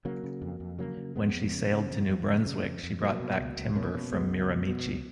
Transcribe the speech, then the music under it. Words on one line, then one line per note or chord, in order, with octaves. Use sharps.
When she sailed to New Brunswick she brought back timber from Miramichi.
C#3 F#3 A#3
C#3
F2
F2
C#3 F#3 A#3
C#3
F2 G#3 B3
F2
C#3
C#3
F2
F2
C#3
C#3
F2
F2
B2 F#3 A#3
B2
C#2
C#2
B2 A#3 C#4
B2
C#2 G#3 B3
C#2
B2
B2
C#2